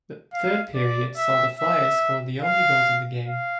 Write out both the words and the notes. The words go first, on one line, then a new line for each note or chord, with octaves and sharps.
The third period saw the Flyers score the only goals of the game.
F5
D5
E5
E5
F5
F5